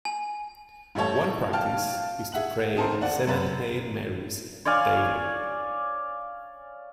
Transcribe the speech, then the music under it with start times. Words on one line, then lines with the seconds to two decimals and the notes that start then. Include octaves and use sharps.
One practice is to pray seven Hail Marys daily.
0.05 G#5
0.95 A1 G3 A3 C#5 A5
1.53 F5 G5 A5 F6
2.32 G#4 E5 F#5 F#7
2.76 C4 D#4 A4 A#4 C5
3.01 D#2 D5 F#5
3.27 F#2 B4 A6
4.65 C#5 D5 F5 G#5